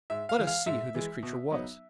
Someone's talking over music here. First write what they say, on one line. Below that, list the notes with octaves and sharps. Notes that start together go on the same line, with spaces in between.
Let us see who this creature was.
G#2 E5
F5
E3 G#3
F5
G#2 E5
E3 G#3
B2
F#3 B3 D#4